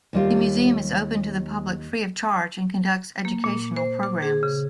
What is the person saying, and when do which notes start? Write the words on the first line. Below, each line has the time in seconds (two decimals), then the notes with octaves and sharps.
The museum is open to the public free of charge and conducts educational programs.
0.13 D#2 G3 F4
3.25 A#3
3.44 A#2
3.76 C5
4.03 D6
4.22 G#4
4.43 C#3